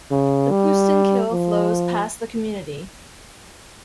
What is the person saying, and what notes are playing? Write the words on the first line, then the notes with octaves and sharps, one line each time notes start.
The Poesten Kill flows past the community.
C#3
G3
F3